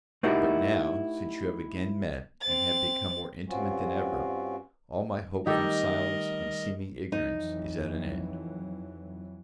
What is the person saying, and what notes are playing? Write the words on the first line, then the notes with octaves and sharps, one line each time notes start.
But, now, since you have again met, and have become more intimate than ever, all my hope from silence and seeming ignorance is at an end.
A3 D#4 E4 F#4 G4 A#4
C4 A6
G2 C4 C#4 F4 F#4
D#3 G3 A3 D#4 G4 A4 A#4 D#5
F2 E3 F#3 D#4